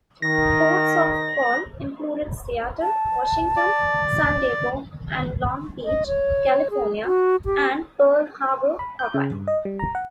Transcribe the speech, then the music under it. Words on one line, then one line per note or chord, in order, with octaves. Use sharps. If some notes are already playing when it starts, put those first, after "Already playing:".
Ports-of-call included Seattle, Washington; San Diego and Long Beach, California; and Pearl Harbor, Hawaii.
D#3 A#6
A5
D5
D#5
C#5
G#4
F#4
G4
B5
G6
C#3
G2
D#5
G3
A#5
F#5